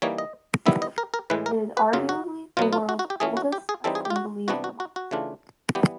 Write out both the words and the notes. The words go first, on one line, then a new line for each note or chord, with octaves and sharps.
It is arguably the world's oldest assembly democracy.
E3 G3 A#3 D#4 C#5
D#5
D#3 G3 B3 E4 E5
D#5
A#4
A#4
A2 E3 G#3 B4
A#4
B4
F#2 C#3 F#3 F4
F#4
B2 F#3 B3 F4
F4
F#4
F#4
G4
E3 A3 C#4 G#4
F#4
G4
G#4
E3 G3 C4 D#4 A4
G#4
G4
F4
F#4
C3 E3 G3 B3 D4 F#4
F#4
F#4
F#4
C#3 E3 A3 D4 F4
E3 G3 B3 G4